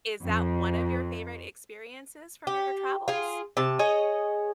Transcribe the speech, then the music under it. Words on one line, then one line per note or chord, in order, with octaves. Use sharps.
is that one of your favorite experiences from your travels?
F2
G4
F4 G#4
C3 A5
G#4 C#5 D#5